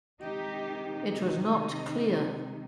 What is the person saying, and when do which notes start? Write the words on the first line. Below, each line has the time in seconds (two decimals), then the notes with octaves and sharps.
It was not clear.
0.22 C3 D#3 G#3 D#4 G4
0.96 D#4